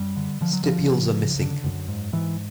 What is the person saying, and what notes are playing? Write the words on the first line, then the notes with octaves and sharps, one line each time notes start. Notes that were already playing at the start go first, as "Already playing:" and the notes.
Stipules are missing.
Already playing: F#2 G3
D3
D3 F3
F#3
D3 F3
C#3
C#3
D3
F#2
G#2
G#2 E3